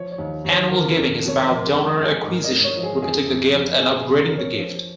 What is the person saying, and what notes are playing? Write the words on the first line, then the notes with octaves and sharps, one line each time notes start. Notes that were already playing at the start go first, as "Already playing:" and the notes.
Annual giving is about donor acquisition, repeating the gift and upgrading the gift.
Already playing: F3 C#5
C#5
D#2
D#2
C#5
F3 A#4
A#4
F2
F2
C#5
F3 A#4
G#4
C#2
D#5
C#2
G#4
G#2 A#4
D#5
G#2
C#5
F3
G#4
F2 G#4
F2
F3
F2 G#4
G#4
F2
A#4
F3
C#5
F3